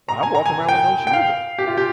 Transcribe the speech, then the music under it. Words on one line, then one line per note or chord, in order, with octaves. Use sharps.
Well, I'm walking around with no shoes on,
A#5
G#5
A#5
G#5
G5
G5
F5
G4
F4
G4